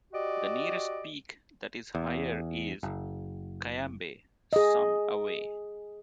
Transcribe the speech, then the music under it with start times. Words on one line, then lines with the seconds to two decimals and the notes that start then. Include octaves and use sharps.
The nearest peak that is higher is Cayambe, some away.
0.13 F#4 G4 D5 D#5
1.95 E2
2.83 F#1
4.53 G#4 D#5